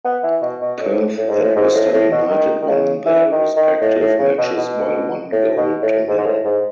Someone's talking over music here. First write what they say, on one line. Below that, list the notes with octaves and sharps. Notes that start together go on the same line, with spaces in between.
Perth and Western United won their respective matches by one goal to nil.
B3
E3
B2
B2
A2
A2
G#2
A2
G#2
A2
A2
B2
D#3
D#3
C#3
E3
D#3
D#3
A2
A2
C#3
B2
B2
A2
B2
A2
G#2
G#2
A2
G#2